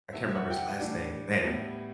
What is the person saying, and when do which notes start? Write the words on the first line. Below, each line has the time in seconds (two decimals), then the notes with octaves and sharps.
I can't remember his last name. Man.
0.12 D2 C3 E3 E5
0.28 E5
0.35 F#5
0.50 G5
0.56 F#5
0.78 A2 E3 G3 D4
1.44 A2 G3 B3 E4